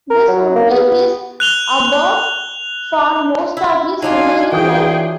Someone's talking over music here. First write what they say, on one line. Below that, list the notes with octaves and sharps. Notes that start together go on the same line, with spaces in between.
This would be his abode for most of his remaining life.
A#4
F#3
A#3
B3
F#6 F7 G7
E4
F#3 D4 D#4 F4 F5 G#5
E3 G#4 G5 D#6 G6